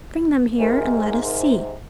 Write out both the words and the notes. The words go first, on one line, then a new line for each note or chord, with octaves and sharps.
Bring them here, and let us see.
G#2 C3 A#4 G#5